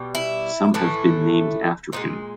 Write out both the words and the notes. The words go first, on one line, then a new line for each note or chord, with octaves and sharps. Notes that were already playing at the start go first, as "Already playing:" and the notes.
Some have been named after him.
Already playing: B2 G3
E4
A2 E3 A3
A#2 F3 G#3 D#4